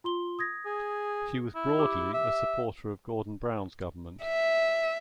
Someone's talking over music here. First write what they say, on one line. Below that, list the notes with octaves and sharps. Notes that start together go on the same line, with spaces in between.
She was broadly a supporter of Gordon Brown's government.
F4 C6 G7
D#6 G#6 A#6
G#4
E4
G4 D6
E5
E5